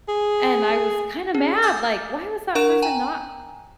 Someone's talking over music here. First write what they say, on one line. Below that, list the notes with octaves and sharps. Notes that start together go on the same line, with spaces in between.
And I was kinda mad, like, "Why was that person not
G#4
C#4 G#4
G#5 D6 D#6 G6 A6
D4 A#4 F#5 C#6 E7
G5 G#5 A#5